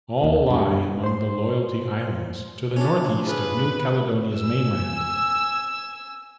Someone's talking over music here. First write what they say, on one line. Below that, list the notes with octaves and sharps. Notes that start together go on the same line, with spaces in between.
All lie among the Loyalty Islands, to the northeast of New Caledonia's mainland.
D#2
G2
C5 C6
C#4 D4 E4 A4
F4 G#4 B4
G#5 E6